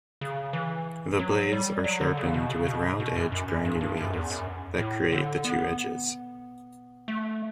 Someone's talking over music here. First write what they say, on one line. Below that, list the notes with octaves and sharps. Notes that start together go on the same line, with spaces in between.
The blades are sharpened with round-edged grinding wheels that create the two edges.
C#3
E3
F#3
G3
F#3
D3
C#3
B2
C#3
B2
B2
F#2
F#2
F#2
G2
G2
F#2
E2
F#2
A2
D3
B3
A3